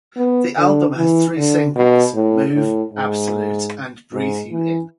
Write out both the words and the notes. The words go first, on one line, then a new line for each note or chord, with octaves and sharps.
The album has three singles: "Move", "Absolute" and "Breathe You In".
B3
D3
E3
D3
B2
A2
A2
G#2
G#2
E3